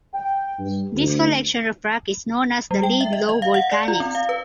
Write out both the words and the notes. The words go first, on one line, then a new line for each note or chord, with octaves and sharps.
This collection of rocks is known as the Laidlaw Volcanics.
G5
G2
D2
G3
G5
E5
D#5
D#5
F5
F#5
D5
F4
C4
F5
B4